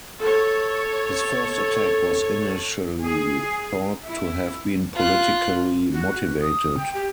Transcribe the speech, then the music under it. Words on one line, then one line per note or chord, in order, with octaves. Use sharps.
His first attack was initially thought to have been politically motivated.
A4 C#5
G#4
E4
F4 F#6
F#4
F#4
D#6
G5
G4